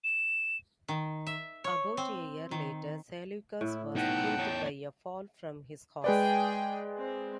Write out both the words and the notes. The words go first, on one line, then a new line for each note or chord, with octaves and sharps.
About a year later, Seleucus was killed by a fall from his horse.
E7
D#3
E5
C#5
C4
D#3
A2 E4
B3 D#4 F#5 G5 A5 G6
E2 C#5
G#3 G#4 B4 D5 G5
C4